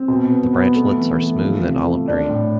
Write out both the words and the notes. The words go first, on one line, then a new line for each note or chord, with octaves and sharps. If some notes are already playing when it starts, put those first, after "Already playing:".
The branchlets are smooth and olive-green.
Already playing: C4
B2
B3
B3
A3
E3
A3
F3
C3
A3
D4
A2